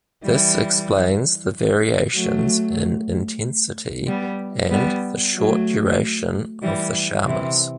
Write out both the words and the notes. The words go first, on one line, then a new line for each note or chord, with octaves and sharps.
This explains the variations in intensity and the short duration of the showers.
E3 G3
F#3 A3
G3 B3
G3 B3
F#3 A3
E3 G3
C3 E3